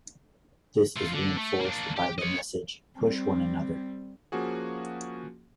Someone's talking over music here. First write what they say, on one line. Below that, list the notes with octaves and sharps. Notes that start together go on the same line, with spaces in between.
This is reinforced by the message Push One Another!
A3 F4
D3
A3
A#3 D4
G4
C#5 D#5
G3 C4
F3 A#3 C#4 F#4 G#4